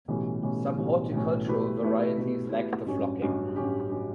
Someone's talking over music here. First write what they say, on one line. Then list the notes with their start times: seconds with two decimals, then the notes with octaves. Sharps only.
Some horticultural varieties lack the flocking.
0.08 B1 A2 E3 G3 C#4
0.43 B1 A2 E3 G3 C#4
0.78 B1 A2 E3 G3 C#4
1.12 B1 A2 E3 G3 C#4
1.47 B2 A3 E4 G4 B4
1.82 B2 A3 E4 G4 B4
2.17 B2 A3 E4 G4 B4
2.51 B2 A3 E4 G4 B4
2.86 A1 G2 F#3 C#4 G4
3.21 A1 G2 F#3 C#4 G4
3.56 A1 G2 F#3 C#4 G4
3.91 F#3 C#4 G4